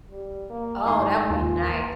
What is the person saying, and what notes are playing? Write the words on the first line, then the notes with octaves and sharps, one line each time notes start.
Oh, that would be nice.
G3
A#3
G#1 E4 G#5 C6
D#2 F4
A#3